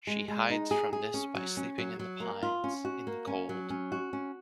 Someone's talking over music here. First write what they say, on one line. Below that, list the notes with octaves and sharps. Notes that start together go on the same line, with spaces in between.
She hides from this by sleeping in the pines, in the cold.
G#3
G#3
D#4
G#4
G#4
C#4
F#3
C#4
F#3
F#3
A#3
F4
C#4
F#4
A#3
C#4
F#3
C#4
F#4
C#4